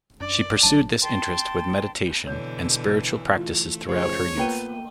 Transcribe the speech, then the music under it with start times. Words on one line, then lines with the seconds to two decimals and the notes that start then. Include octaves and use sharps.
She pursued this interest with meditation and spiritual practices throughout her youth.
0.20 F#2 D4 D5
0.63 G1 F#3 D4 A5
1.03 G5 A5 C6
2.25 B2 D3 E3 C#5 G6
3.35 E3 A3 F4
3.89 F#1 F3 G#4 C5 C#5
4.37 A#3 B3 F4 B4 G5 D#7